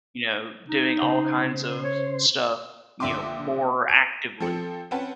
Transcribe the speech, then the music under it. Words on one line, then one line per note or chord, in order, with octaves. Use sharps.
you know, doing all kinds of stuff, you know, more actively.
D#4
C#3 C5
C#5
A#1 D3 E5 G5 C6 D6
D7
F3 C4 A4 C#7
C4 C#4 B4 F#5 A5